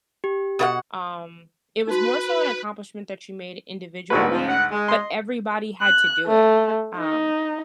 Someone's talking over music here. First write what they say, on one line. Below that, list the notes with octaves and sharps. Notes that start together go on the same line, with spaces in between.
Um, it was more so an accomplishment that you made individually, but everybody had to do it. Um,
G4
B2 A#4 F#5
D#4 F#4 B4
G#1 D2 G2 F3 F#4 B4
F3
F#5
G#3
D#5 C6
F#6
A3
D#4